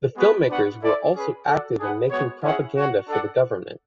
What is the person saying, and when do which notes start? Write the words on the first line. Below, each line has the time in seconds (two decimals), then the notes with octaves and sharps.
The filmmakers were also active in making propaganda for the government.
0.17 G#3 B3 F#4 B4
0.50 B3 D4 F#4 B4 F#5
0.82 E4 A4 D5
1.14 C#4 G#4 B4
1.47 F#4 A4 D5 F#5
1.79 D4 G#4 B4 F#5
2.11 G#3 B3 F#4 C#5
2.43 C#4 E4 G#4 C#5 F#5
2.76 F#4 C#5 F#5
3.08 D4 A4 D5 F#5